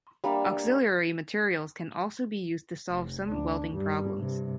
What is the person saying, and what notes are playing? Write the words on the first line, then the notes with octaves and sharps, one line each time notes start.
Auxiliary materials can also be used to solve some welding problems.
G3 A#3 D4 E5
F1
D2 D4
G2 G3
G2 C3